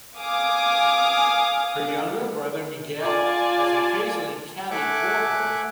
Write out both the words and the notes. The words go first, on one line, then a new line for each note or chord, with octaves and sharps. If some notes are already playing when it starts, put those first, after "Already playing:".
Her younger brother Miguel has occasionally caddied for her.
F5 G#5 D6 D#6
F4 D5 G#5 A5
A3 E5 F#5 G#5 D6 F#6